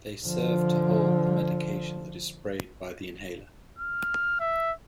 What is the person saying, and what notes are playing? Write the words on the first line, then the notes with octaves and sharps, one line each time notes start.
They serve to hold the medication that is sprayed by the inhaler.
D3 F3
F6
E5